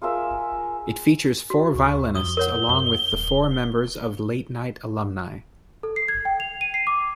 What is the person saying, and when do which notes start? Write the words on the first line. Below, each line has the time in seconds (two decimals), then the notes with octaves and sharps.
It features four violinists along with the four members of Late Night Alumni.
0.02 F4 G#4 A#4 E5
1.50 F#4
1.75 D2 C#6
2.15 F2 D#6 G7
2.37 A#4 C#5 F#5
2.69 F#2
3.13 D#1
5.83 A4
5.96 C7
6.08 G#6
6.25 G5
6.40 F7
6.61 D#7
6.74 C7
6.87 D6